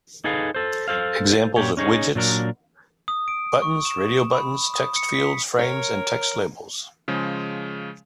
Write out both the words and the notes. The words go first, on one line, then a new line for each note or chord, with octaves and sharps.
Examples of widgets: buttons, radiobuttons, text fields, frames, and text labels.
D#4 G#4 A4 B4 F5
A4 C5
A4 C5 F5
A#2 G4 C#5
C#4 D#4 G#4 C#5
A#2 F#3 D4 A#4
D#6
D7
C#6
E7
B5
D#6
C#7
B6
A#4 C#5
C#3 F3 G#3